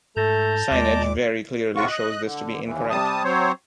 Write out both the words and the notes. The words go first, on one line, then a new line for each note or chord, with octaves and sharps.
Signage very clearly shows this to be incorrect.
G#2 A3 A4 A5 A#5 G6
D#2 A#2 G#3 D6
D2 A2 C3 F4 F#4 C#6
D#5 F#6
D3
D#2 E3
C3 G3 A5 D#6
F#3 C4 C5 C#5